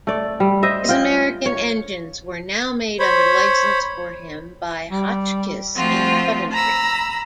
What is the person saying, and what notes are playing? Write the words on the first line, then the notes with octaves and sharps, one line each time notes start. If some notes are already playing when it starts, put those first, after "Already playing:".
His American engines were now made under licence for him by Hotchkiss in Coventry.
A3 D5
G3
C5 D#5 E5
F4 G5
C#5
C5 C#5 B5
G3
F3 A3 C4 F4 F#4
A#5 B5 E6